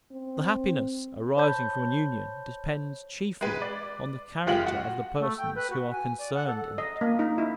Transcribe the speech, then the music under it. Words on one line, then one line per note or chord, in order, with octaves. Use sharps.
The happiness arising from an union depends chiefly on the character of the persons who are concerned in it.
C4
C5 C#5 A5 B5 G6
G#3 B4
D5
F#1 G#3 F4 G4 F#7
F#4
A3
G5
B4
F#4
G#5
D5
F#5
A4
D#5
A#3
D#4
E4